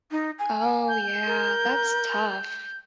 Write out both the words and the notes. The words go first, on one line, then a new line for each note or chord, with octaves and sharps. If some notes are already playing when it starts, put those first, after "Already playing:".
Oh, yeah, that's tough,
D#4
G#5
G6
A#4